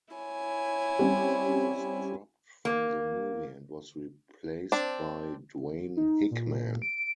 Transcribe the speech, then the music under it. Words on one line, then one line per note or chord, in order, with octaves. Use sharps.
He was dropped from the movie and was replaced by Dwayne Hickman.
E4 C#5 G#5
G3 C4 C#4
A#3
C4 D4
D#4
A#2
D7